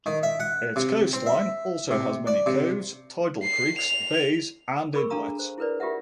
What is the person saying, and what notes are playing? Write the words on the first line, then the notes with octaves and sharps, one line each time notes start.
Its coastline also has many coves, tidal creeks, bays and inlets.
D#3
E5
F#5
C3
C4
E5
C3
D5
C3
C7
F7
G#4 A#4 B5 C#6 E6
D4 G#4 A4 F5 A#5 D#6
C5
E4 G#4 A#4 B4 D5
F4 G4 A#4 E5 F#5